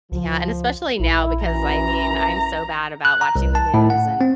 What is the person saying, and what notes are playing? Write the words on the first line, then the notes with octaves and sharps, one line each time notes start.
Yeah, and especially now because, I mean, I'm so bad about watching the news and
C#2 F3
A#1 E4
F#2 E3 A#5
F#6
A#5
C2
A5
A2
F#5
C4